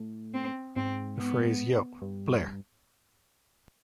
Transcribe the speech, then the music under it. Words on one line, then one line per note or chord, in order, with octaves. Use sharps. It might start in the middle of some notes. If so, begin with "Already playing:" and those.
The phrase Yo, Blair.
Already playing: A2
C4
G#2 C4
B3
G2